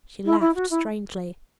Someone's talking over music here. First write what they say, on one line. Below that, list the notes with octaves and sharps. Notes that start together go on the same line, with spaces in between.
She laughed strangely.
E4
E4
F#4
E4